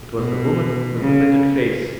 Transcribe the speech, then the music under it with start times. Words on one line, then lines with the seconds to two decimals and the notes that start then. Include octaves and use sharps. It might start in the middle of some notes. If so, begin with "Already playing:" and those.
It was the woman with the pitted face.
0.18 B2
0.98 C#3